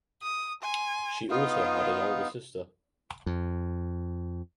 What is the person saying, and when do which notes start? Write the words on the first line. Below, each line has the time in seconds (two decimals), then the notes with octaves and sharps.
She also had an older sister.
0.23 D#6
0.63 G#5 C6
1.30 B3 D#4 F4 F5
3.26 F2